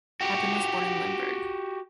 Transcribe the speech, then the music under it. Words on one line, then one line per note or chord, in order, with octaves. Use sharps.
Papen was born in Limburg.
F#4 G4